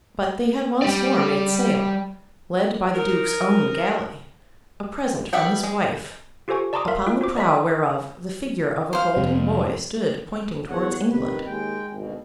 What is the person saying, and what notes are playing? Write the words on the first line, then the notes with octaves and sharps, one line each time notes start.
But they had once more made sail, led by the Duke's own galley, a present from his wife, upon the prow whereof the figure of a golden boy stood pointing towards England.
G3 G4 D5
D#4 A#4
G3 B3 E5 F#5 G5
G#3
F4 G4 A4 C5 G#5 C#6
D5 A5 A#5 C6 D6 D#6
A#4 E5 F5 C6 B6
F4
F#4 C5 D6
D5 D#5 B5 B6
C5 F5
F2 C3
E2 C#5 F#5
C3 D#3 B4
D#2 G#3 G5
G#1 D2 B2